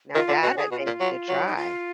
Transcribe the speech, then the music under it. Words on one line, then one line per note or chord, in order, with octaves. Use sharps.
Now that I may need to try.
D#3 F4
D3
B2 F#4
D3 G#4
B2 F#4
F4
A#2
F#3
F#3
D#4
F4